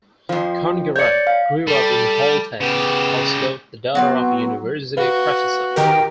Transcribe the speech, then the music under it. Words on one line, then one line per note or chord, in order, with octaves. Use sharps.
Kongerud grew up in Holtet, Oslo, the daughter of a university professor.
F2 F3
C#5 D5 G6 C#7
F5
G3 A4
C#3 B3 G4
F#3 B3 C4 E4 F#4 F#5
F#4 B4 F5
D#3 G4 A#4 G5